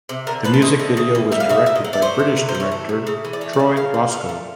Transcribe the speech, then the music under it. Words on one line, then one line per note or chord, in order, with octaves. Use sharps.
The music video was directed by British director Troy Roscoe.
C3
D3 A#4
F3 B4
A4
A3 D#5
D3
C#3
E3
G3 E5
F5
C#3 E5
A#2 E5
D#5
F#3
D5
A3 C5
A#2
C3 B4
C5
E3
C#5
A3
C3
C#3
E3
D5
A3 C#5
D5
C#3
A#2 F5
F3
A3 F5
A#2